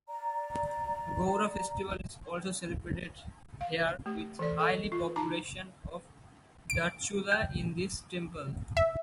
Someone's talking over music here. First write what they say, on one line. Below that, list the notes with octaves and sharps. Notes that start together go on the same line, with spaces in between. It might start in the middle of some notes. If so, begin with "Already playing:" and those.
Gaura Festival is also celebrated here with highly population of darchula in this temple.
D5 A#5
F5
A3 G4
E3 A4 D5
A4 D#5 C#6
F4
D#4 A5 A#5 D6
D7
G5
E5